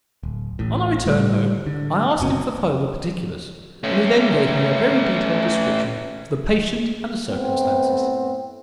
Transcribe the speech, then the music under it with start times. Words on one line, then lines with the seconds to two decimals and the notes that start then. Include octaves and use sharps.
On our return home I asked him for further particulars, and he then gave me a very detailed description of the patient and the circumstances.
0.23 D1
0.59 A1 A2
1.06 A2 G3
1.66 D3
2.20 F#1 B2 C#4
3.83 A3 C#4
7.28 A2 B3 C4